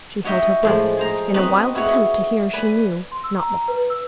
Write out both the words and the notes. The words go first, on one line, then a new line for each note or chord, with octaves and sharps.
She held her breath, in a wild attempt to hear she knew not what.
F#4 C#5 D#5 E5 G5
A2 F3 G#3
G#4 C5 A#5
B3 C4 D#4 F#4 B4
E4 F#4 G#4 C#5
B4 D5 G#5
C6
E6
A#5
B4
E6